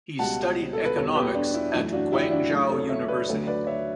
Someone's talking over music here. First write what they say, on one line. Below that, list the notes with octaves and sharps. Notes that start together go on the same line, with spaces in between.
He studied economics at Guangzhou University.
C#2 B2 G3 F#5 A5
A4
B4
E2 B2 G3 A4 C#5
G4 B4
D4
E4
F#2 E3 A3 E4
D4 F#4
E4 G4
D4 F#4
D2 C#3 F#3 A3 E4
A4 C#5
C#5 E5
B4 D5
D2 D3 F#3 A3 A4 C#5
B4 D5
C#5 E5